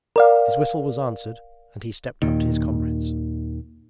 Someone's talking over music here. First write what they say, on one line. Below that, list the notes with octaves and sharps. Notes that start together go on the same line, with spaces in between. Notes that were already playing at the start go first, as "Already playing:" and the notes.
His whistle was answered and he stepped up to his comrades.
A#4 D5 F5
D#2 A#2 D#3